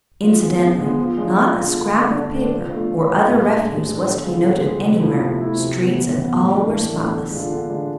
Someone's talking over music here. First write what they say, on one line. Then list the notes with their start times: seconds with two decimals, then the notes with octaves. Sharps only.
Incidentally not a scrap of paper or other refuse was to be noted anywhere--streets and all were spotless.
0.22 F3
0.40 G#3 B3
0.59 F3
0.78 G#3 B3
0.97 F3
1.17 G#3 D4 F4
1.36 F3
1.55 G#3 D4 F4
1.74 D3
1.94 A3 D4
2.12 D3
2.32 A3 D4
2.51 F3
2.70 A3 D4 F4
2.90 F3
3.09 A3 D4 F4
3.28 A2
3.47 G#3 D4
3.66 A2
3.86 G#3 D4
4.05 D3
4.24 G#3 C4 F4
4.44 D3
4.62 G#3 C4 F4
4.82 C3
5.01 F3 A3 E4
5.20 C3
5.39 F3 A3 E4
5.59 C3
5.78 E3 B3
5.97 C3
6.16 E3 B3
6.35 A2
6.55 E3 A3 D4
6.74 A2
6.93 E3 A3 D4
7.12 D3
7.31 G#3 D4 F4
7.51 D3
7.70 G#3 D4 F4